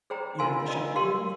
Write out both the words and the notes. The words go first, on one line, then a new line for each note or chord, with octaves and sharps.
you have the shotguns?
G#4 C5 G5 A#5
F4 A#4 F5 G#5 C6
A#4 D#5 A#5
G4 A#4 F5 C6